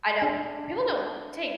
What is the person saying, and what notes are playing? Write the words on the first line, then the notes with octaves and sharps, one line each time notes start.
I know, people don't take
D4